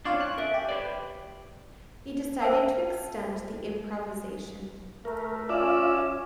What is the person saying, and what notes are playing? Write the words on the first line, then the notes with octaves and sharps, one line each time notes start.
He decided to extend the improvisation.
C4 D4 F4 C#5 D5
F#6
A#4 E5
G4
B4 C5 D5
B4 C5 E5 G5 A5 E6
A3 A#4
C#4 F4 D5 E5